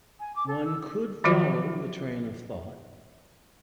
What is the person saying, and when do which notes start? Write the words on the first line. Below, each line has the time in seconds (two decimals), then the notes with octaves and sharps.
One could follow the train of thought.
0.19 G#5
0.35 D6
0.47 A4
0.64 E6
1.24 D#3 F3 F#3 F4 F#4 C5